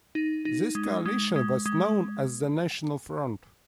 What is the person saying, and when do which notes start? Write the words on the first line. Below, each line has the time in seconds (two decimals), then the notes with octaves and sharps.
This coalition was known as the National Front.
0.15 D#4
0.45 D#4
0.75 G#3
1.06 G#3
1.36 G#3
1.66 G#3